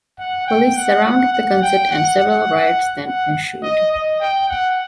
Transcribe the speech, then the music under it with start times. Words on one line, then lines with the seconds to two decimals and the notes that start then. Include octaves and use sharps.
Police surrounded the concert and several riots then ensued.
0.19 F#5
0.47 G5
0.76 F#5
1.05 F#5
1.33 F#5
1.62 G5
1.90 F#5
2.20 F#5
3.05 F#5
3.63 D#5
3.92 D#5
4.20 G5
4.49 F#5